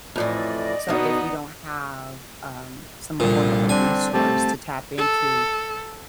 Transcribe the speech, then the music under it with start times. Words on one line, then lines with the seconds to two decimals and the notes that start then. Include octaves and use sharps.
so, if you don't have, um, some form of a resource to tap into,
0.16 F2 A2 E3 D5 D#5
0.88 B2 D3 B3 D#4
3.20 C2 A#2 D3 F3 G3
3.69 C4 D4 G#5
4.14 A3 C4 G4 A5
4.98 A4